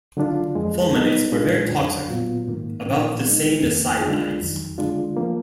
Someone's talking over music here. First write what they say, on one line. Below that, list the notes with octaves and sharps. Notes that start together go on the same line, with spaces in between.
Fulminates are very toxic, about the same as cyanides.
D3 F#3 D4 F4
F2 F3 G#3
B2 F#3 B3 D#4
A#2 G#3 D4 F4
F2 D3 F#3 D4
A#2 F#3 B3 F4
G#2 D#3 A#3
A#2 F3 A#3 D4
B2 G#3 D#4
F2 D#3 A#3
D3 G#3 D4 F4
F2 D#3 F#3
D3 G#3 D4 F4
F3 A#3